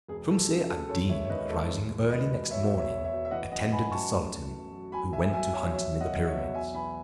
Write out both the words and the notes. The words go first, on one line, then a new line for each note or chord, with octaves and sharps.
Shumse ad Deen rising early next morning, attended the sultan, who went to hunt near the pyramids.
E1 G#4
E1 A4
C#3 G#4
C#3 A4
D#2 A4 C#5
G#3 C#5 E5
C#5
D#3 B4 D#5
G#3 A4
D#2
D#2
E1 B4 D#5
E1
B2 C#5 E5
E2
C#5 E5
E1
C#5 E5
B2
E5
E3 D#5 F#5
F#2 D#5 F#5
E3 G#5 B5
F#2 A5 C#6
A3
F#3
B2
F#3
B1 G#5 B5
B1 E5 G#5
B1 E5 G#5
B1 C#5 E5
B2 C#5 E5
E2
D#5 F#5
B2
C#5 E5
E2
B1 E5 G#5
E3 G#5 B5